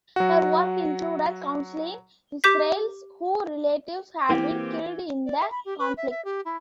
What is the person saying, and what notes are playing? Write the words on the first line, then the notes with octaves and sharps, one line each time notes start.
Her work included counseling Israelis whose relatives had been killed in the conflict.
F#3 F#4
G4 D6 G6 B6
E3 A#3 C4 G4
D5
E5
B5
G4
B4
E5
E5
G4
E4